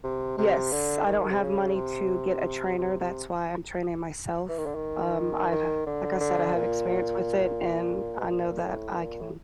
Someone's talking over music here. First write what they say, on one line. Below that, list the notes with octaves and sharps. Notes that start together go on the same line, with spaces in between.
Yes, I don't have money to get a trainer, that's why I'm training myself, um, I've h like I said, I have experience with it, and I know that I can
C3
C3
D3
D#3
C3
C#3
C3
C3
C3
E3
D#3
D3
D#3
D#3
D3
D3
A#2
B2
A#2
A2
A#2
A2